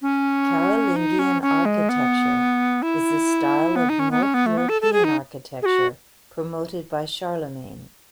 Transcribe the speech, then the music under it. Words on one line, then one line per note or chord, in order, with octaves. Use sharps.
Carolingian architecture is the style of North European architecture promoted by Charlemagne.
C#4
D#4
C#4
C#4
G#3
B3
E4
B3
D#4
C#4
B3
C#4
B3
A3
B3
A4
A4
G#4
D#4
G#4
F#4